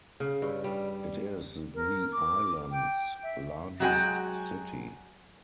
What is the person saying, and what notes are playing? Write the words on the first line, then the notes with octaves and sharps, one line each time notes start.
It is the island's largest city.
C#3
G2
G3
A#4
D6
G5
E5
F#3 G#3 F#4 G#4 G5 G#5